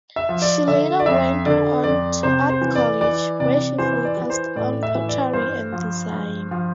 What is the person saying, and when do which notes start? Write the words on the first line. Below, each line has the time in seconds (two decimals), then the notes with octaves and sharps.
She later went on to art college, where she focused on pottery and design.
0.16 E5
0.29 F3
0.42 D5
0.67 D3 E5
1.00 D5
1.06 F2 E5
1.46 D3 D5
1.84 F2 D5
2.23 C3 C5
2.50 C5
2.61 E3
2.75 D5
3.01 E3 D5
3.40 C3 D5
3.78 E3 C5
4.05 D5
4.17 E3
4.30 C5
4.56 A2 D5
4.83 E5
4.95 E3
5.09 D5
5.33 G2 C5
5.72 F3
6.11 G2
6.51 F3